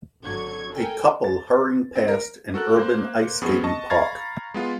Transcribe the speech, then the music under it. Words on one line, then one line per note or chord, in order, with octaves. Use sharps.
A couple hurrying past an urban ice skating park.
G#1 D3 F#3 C#6 G#6
A4 A#4 G5 G#5
A6
C4
A#4
F#4 A4 A#4 F#6
A#3 C5
F2 B3 C4 G#4 C#6
D#5 A5 C#6
F5 A#5 B5 C#6 G#6 A6
G#3 B3 F4